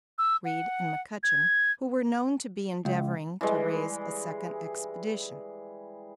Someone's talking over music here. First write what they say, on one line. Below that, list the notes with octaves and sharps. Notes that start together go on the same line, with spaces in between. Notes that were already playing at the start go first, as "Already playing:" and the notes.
Reed and McCutchen, who were known to be endeavoring to raise a second expedition.
E6
F#5
G#6
C#2
E3 G3 G#3